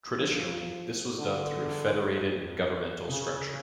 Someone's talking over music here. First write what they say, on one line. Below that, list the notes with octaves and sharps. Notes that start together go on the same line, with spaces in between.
Traditionally, this was done through a federated governmental structure.
F3
D3
F2
C#3